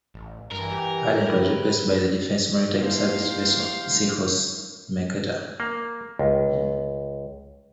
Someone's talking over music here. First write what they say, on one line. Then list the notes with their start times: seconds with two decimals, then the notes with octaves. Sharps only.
"Ardent" was replaced by the Defence Maritime Services vessel "Seahorse Mercator".
0.14 A1
0.52 G2 E3 A#4
0.72 G4
1.26 G4 B4
2.80 A#3 D#4 E4 G4 C5 F5
5.60 A#3
6.19 C#2